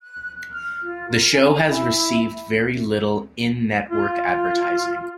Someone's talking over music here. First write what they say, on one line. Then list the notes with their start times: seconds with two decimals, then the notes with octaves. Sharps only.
The show has received very little in-network advertising.
0.01 F#6
0.51 F6
0.82 F4
1.07 A#4
1.32 G#5
1.66 E4
3.91 F4